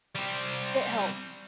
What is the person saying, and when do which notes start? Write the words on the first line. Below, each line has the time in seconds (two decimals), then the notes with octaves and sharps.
it helps.
0.15 G3 C4